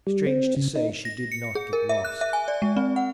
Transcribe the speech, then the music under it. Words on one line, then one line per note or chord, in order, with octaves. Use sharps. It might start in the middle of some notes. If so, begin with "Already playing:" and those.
Strange to say, she did not get lost.
G3
C4
C#3
D#4
A#6
C#7
G#4
A#4
E5
F#6
E5
G#5
D5
G#3
C4
F#5